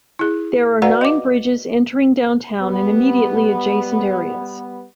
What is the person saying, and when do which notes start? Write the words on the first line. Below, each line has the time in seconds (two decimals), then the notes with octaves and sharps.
There are nine bridges entering downtown and immediately adjacent areas.
0.19 E4 G#4
0.82 F#4 B4 D5 F5 F#5 A#5
1.01 D#5 D6
2.61 G3 B3